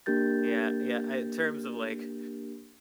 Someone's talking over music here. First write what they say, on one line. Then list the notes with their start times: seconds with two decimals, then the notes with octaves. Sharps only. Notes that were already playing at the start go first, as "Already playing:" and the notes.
Yeah yeah, in terms of, like,
0.06 A#3 D4 G4 A#4 G6 A6